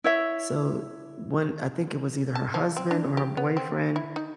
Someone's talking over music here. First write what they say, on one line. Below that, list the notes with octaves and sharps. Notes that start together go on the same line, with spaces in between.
So, one I think it was either her husband or her boyfriend
E4 C#5 E5
A5
F3
C4
D4
G4
B3
C4
E4
D#4